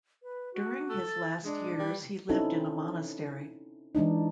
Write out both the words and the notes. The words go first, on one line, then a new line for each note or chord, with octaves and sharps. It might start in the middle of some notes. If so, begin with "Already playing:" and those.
During his last years he lived in a monastery.
B4
F#4
A4
A6
G#3 D4
G3
C4 C#4 D#4 E4 A4
E3 G#3 D4 D#4